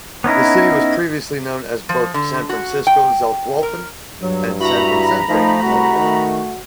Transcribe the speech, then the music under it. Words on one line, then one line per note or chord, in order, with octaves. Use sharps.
The city was previously known as both San Francisco Zacualpan and San Vicente Zacualpan.
B3 C#4 D#4 E4
F3
D3
F#4
G5
A#4
G2 F#3
E4 F#4 A#5 B5
F3 A3 D#4
C2 F#4
D#3